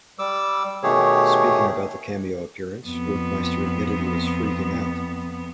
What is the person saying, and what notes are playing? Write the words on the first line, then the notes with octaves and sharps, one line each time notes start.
Speaking about the cameo appearance, Werkmeister admitted he was "freaking out".
G3 D6 E6
B2 D#3 A3 G4 G#4 C#5
F2 B3